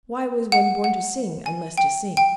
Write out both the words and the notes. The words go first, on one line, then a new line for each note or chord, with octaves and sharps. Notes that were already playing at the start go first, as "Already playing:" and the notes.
Why was one born to sing, unless to sing.
F#5
F#5
G#5
G5
G5